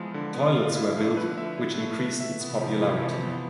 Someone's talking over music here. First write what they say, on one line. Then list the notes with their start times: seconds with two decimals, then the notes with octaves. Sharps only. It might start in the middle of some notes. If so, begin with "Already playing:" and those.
Toilets were built which increased its popularity.
Already playing: E3 F3 G#3 B3 F4
0.14 D3
0.34 B3
0.55 F4
0.75 D3 F3 E4
0.97 A3
1.17 B4
1.37 E5
1.58 E4
1.78 A3
1.99 B4
2.20 E5
2.40 C3 E3 B3
2.61 F3
2.82 E4
3.02 F3
3.22 B3